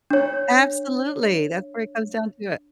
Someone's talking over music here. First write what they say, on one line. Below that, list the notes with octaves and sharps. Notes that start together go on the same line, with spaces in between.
Absolutely, that's where it comes down to it.
D4 C#5